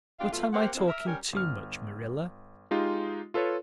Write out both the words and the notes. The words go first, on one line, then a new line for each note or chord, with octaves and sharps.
But am I talking too much, Marilla?
B2 D4 F4 G4 F5
B2 F#3 A3 F4
A#3 C4 G4 C5 F#5
C3 E3 F3 A#3 C4 D#4
A#4 E5
G3 C#4 G4 A#4
G1 F6
G#3 D#4 F4 G4
F4 A4 B4 C#5